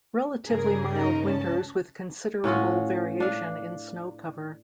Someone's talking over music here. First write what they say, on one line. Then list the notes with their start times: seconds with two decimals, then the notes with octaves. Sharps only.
Relatively mild winters with considerable variation in snow cover.
0.47 G2 C#3 G#4 A#4
0.94 D#4 A#4 D#5
1.25 C#2 C#4 A5
2.44 A2 C#4 F4 F#4
3.20 D4 F5